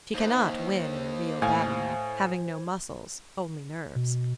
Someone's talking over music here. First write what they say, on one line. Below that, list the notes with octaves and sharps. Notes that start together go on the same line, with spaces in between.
She cannot win in a real battle, having no muscles, only nerves.
D#2 C5
A2 F5 G#5
B2